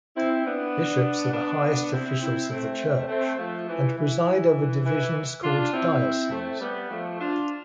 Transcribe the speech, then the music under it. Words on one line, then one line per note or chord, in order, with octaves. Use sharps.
Bishops are the highest officials of the church, and preside over divisions called "dioceses".
C4 E4
B3 D4
B3 D4
C4 E4
C4 E4
A3 C4
A3 C4
F3 A3
E3
E3
E3
D4 F4
C4 E4
A3 C4
G3 B3
F3 A3
D4 F4